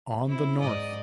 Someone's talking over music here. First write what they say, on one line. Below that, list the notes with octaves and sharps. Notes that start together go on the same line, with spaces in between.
On the North.
C4 E4
G#2 D5 D#5